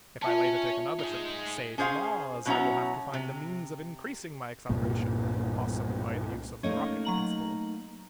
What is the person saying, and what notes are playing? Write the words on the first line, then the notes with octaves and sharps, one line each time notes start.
If I later take another trip, say to Mars, I will have to find a means of increasing my acceleration, possibly by the use of the rocket principle.
F4 C#5 E5 G#5 A5
D#4 G#4
C#4 G#4 C5 D5 F5 G#5
B2 F#3 C#4 E4 F#4 A#5
C3
C2 G2 A#2
A3 A#3 C#4 D#4 C#5 D#5
F#3 A#5 F#7